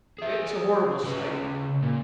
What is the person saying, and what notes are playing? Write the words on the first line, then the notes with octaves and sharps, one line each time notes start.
It's a horrible sight!'
G#4 E5
C#3 B4
A#2